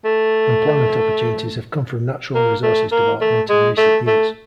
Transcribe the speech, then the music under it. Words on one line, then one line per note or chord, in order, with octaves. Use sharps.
Employment opportunities have come from natural resources development in recent years.
A3
A#3
A3
A#3
A3
G#3
A3
A3